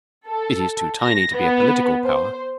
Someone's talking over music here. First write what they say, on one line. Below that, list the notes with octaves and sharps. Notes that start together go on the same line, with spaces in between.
It is too tiny to be a political power.
A4
A#6
B3
C5